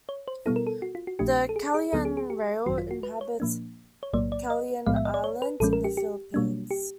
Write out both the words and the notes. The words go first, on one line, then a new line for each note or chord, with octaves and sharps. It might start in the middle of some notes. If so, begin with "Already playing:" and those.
The Calayan rail, inhabits Calayan Island in the Philippines.
C#5
C5
B2 G3 B3 E4 A4
A#4
A4
F#4
F4
F#4
A#1 A#2 F3 A3 D4 G4
A4
G#4
G#4
D2 D3 F#3 B3 D4 A4
G#4
G#4
G4
G#1 F#2 D#3 F#3 F#4
F4
F#4
B4
C#5
A#2 F3 A#3 D4
C#5
B1 A2 F#3 A#3 D5
D5
D#5
B1 A2 F3 G#3 B3 F5
E5
D#5
D5
C#5
B4
B1 A#2 F3 G#3 C#4 A4
A#4
G4
G4
B2 G3 A#3 D4
G4